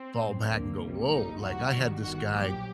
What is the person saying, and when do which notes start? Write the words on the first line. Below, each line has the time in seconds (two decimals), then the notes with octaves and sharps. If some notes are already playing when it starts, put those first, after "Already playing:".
fall back and go, "Woah." Like, I had this guy,
Already playing: C4
0.18 A1 A2 F#3
0.49 D2 D3 F#3 A#3
0.80 C2 C3 G3
1.10 A#1 A#2 G3 D#4
1.41 D2 C3 F#3 F#4
1.71 G1 G2 D#3 G3
2.02 G1 G2 D#3 F#4
2.32 A#1 A#2 F#3 G4